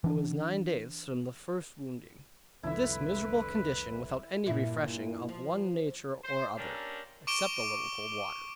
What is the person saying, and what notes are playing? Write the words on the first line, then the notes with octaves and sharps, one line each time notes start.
It was nine days from the first wounding, in this miserable condition, without any refreshing of one nature or other, except a little cold water.
E3 D4
C2 F2 D3 E4 B4 E5
G2 A#2 E4
F3
C5
A#3 C#4 D4 G4 A4 A#4
C#6 D6 D7 E7 G7